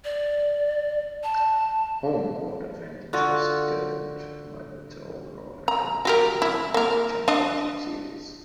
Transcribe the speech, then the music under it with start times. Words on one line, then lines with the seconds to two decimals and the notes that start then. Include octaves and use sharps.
Home court advantage was determined by better overall record heading into the championship series.
0.04 D5
1.23 A5
3.13 D3 F4 F#4
5.68 A#5
6.05 F#4 G4 A#4
6.42 E4
6.74 A#3 A#4
7.28 D4 D#5